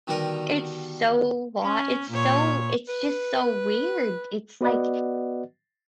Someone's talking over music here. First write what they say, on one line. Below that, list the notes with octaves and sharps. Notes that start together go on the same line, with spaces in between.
it's so lot it's so it's just so weird. It's, like
B2 D3 D#3 G3 A#4 B4
C#4
A#2 C#5
B4
B3 F#4 B4 D5 D#5 F#5